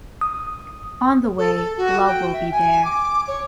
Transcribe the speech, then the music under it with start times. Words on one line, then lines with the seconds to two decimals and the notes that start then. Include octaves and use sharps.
On the way, love will be there.
0.21 D#6
1.38 A4
1.55 A4
1.77 F#4
2.07 G5
2.33 E5
2.52 G#5
2.85 D6
3.28 C#5